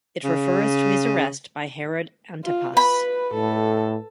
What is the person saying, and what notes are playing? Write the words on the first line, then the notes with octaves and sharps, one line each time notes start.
It refers to his arrest by Herod Antipas.
C#3
F4
B4 B5
A2 A4